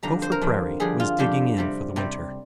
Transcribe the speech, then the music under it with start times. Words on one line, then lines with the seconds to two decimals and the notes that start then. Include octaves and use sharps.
GOPHER PRAIRIE was digging in for the winter.
0.03 F2 D3 G3 A#5
0.22 C5
0.32 A#4
0.41 F2 D3 G3
0.80 F2 D3 G3 G#4
1.00 F4
1.18 F2 D3 G3 G4
1.58 C3 G3 C4
1.96 C3 G3 C4